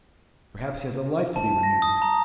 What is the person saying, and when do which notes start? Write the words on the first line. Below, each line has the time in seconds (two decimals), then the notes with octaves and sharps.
Perhaps he has a life to be renewed.
1.36 A5
1.63 A#6
1.82 D#6
2.02 A#5